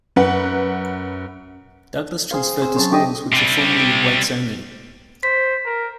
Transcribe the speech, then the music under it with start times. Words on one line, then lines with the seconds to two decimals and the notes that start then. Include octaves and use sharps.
Douglas transferred to schools which were formerly whites-only.
0.16 F#2 B4 F#5
2.31 G#4 C5 F5
2.62 C4 G#4 E6
2.76 F#3 C#4 C5 C#5 A5
2.90 A3 G4 D#5
3.33 C3 G3
5.23 C5 B6
5.66 A#4